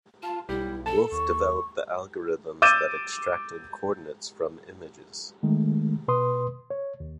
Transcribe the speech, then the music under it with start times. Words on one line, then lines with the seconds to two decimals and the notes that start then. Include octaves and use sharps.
Wolf developed the algorithms that extracted coordinates from images.
0.23 F4 A5
0.49 B1 G3 E4
0.86 A4 A5
1.12 D#2 C#6
2.62 D6 E6 G6 A6 D#7 E7
5.43 D#3 G#3 A3
6.08 B2 B4 C6 D#6
6.70 C#5
7.00 D#2